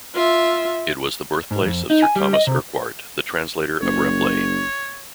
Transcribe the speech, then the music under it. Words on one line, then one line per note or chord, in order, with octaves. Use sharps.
It was the birthplace of Sir Thomas Urquhart, the translator of Rabelais.
F4 E5
G#2
F2
D#4
G#5
G3
D#5
C3
F#1 C#5